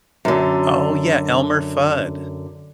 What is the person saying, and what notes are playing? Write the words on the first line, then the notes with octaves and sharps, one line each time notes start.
Oh yeah, Elmer Fudd.
F#2 D3